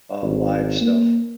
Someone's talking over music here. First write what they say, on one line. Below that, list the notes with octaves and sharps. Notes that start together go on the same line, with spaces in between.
uh, live stuff.
G#1
A#3